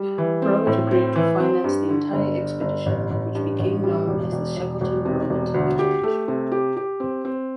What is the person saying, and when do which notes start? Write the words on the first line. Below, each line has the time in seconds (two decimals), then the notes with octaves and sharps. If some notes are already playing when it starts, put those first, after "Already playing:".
Rowett agreed to finance the entire expedition, which became known as the Shackleton-Rowett Expedition.
Already playing: G3
0.18 E3
0.42 C4
0.67 A2
0.91 C4
1.16 E3
1.40 C4
1.64 G2
1.89 D3
2.13 G1
2.37 D3
2.61 G1
2.86 A1
3.11 A1
3.35 G2
3.59 A1
3.84 G3
4.08 E1
4.32 E1
4.57 E1
4.81 E1
5.05 C3
5.30 E1
5.54 D2
5.79 G4
6.03 A3
6.28 C3
6.52 G4
6.76 G4
7.00 C4
7.25 C4